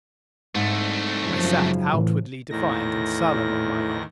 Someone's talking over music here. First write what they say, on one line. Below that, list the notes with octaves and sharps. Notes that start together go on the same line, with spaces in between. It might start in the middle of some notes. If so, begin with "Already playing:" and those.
I sat outwardly defiant and sullen on my bunk.
C2 G#2 A3
F#2 C#3 F3
A2 E3
E2 A2 D#3 A#6